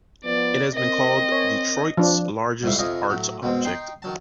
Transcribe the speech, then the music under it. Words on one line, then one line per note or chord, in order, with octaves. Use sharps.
It has been called "Detroit's largest art object".
F3 B3 D5
C4 A#4 D#5
C#5
F3 D4
C2 F2 G#2 E4 F5
F2 C3 F4 D#5 G#5
A2 F#3
B2 G#3 C4
D#4 G5 C6
D#3 F#3 A5